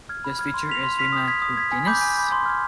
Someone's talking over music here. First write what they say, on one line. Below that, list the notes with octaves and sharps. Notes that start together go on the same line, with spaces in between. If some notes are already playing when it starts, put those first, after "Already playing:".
This feature is Rima Hyginus.
F6 G#6
B5
F6 G#6
C6
F6 B6 F7
C6
F6 B6 F7
D#6
G#6 B6
D#6
G#6 B6
G#5
B5 D6 G6
G#5
B5 D6 G6
C6
F6 G#6